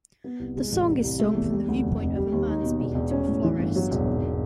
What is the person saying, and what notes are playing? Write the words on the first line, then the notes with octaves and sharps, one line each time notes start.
The song is sung from the viewpoint of a man speaking to a florist.
B3
C2
G#3
A1
C2
C2
A3
E2
G3
D2
F1
F1
G3
D#2
D#4
B2
E1
E1
C#4
A2
E3
G1
F#3
E1
G#1